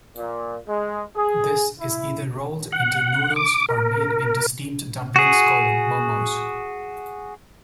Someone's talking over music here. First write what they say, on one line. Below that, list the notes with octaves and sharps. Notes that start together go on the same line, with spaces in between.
This is either rolled into noodles or made into steamed dumplings called momos.
A#2
G#3
G#4
E4
F#5
D6
A#4
F#4 G#4